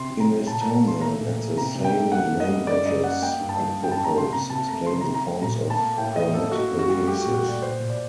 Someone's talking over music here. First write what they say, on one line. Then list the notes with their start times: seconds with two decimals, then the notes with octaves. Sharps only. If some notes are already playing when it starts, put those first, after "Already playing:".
In Estonian and the Sami languages, apocopes explain the forms of grammatical cases.
Already playing: C3 C6
0.10 C3
0.20 A#5
0.28 F#3
0.47 A#2 A5
0.61 A#5
0.65 A#2
0.74 A#5
0.83 A#3 C6
1.01 A3 A#5
1.20 A#2
1.38 A#2
1.56 C3 A#5
1.75 C3
1.84 G5
1.94 A3
2.12 A#3 F#5
2.31 F#2
2.40 D#5
2.48 G3
2.67 F#2 D5
2.86 F#2 D#5
3.04 A#3 F#5
3.22 A#3 G5
3.41 G2
3.49 A5
3.58 G3
3.78 F#2
3.84 G5
3.91 F#2 A5
4.04 A#5
4.14 A#3 C6
4.31 C3 A#5
4.50 C3 A5
4.69 A3 A#5
4.86 C3 C6
5.01 C3 A#5
5.14 A#5
5.23 A3
5.41 A#2 A#5
5.61 A#2
5.70 A5
5.79 A#3
5.98 A2 G5
6.15 A2 D#5
6.34 A#3 A4
6.52 A#3 F#4
6.71 F#2
6.79 F#4
6.89 G3
7.07 A3 G4
7.21 F#4
7.25 A#2
7.34 F#4
7.44 A#2 D5
7.61 A#2 C5
7.80 A#2
7.90 D5